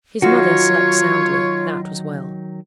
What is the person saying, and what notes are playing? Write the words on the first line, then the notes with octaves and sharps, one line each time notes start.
His mother slept soundly: that was well.
D#3 F#3 D#4 F4 F#4 C#5